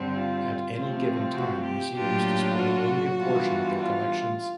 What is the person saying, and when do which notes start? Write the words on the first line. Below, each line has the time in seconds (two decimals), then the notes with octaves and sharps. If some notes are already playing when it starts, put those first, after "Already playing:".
At any given time, museums display only a portion of their collections.
Already playing: G2 D3 G3 C4
0.12 F4
0.73 C3 F3 A3 C4 F4
1.34 F#4
1.64 G4
1.95 A2 F#3 A#3 D4 F4 G4
2.57 F#4
3.17 E3 G3 B3 D4 F4
3.78 F4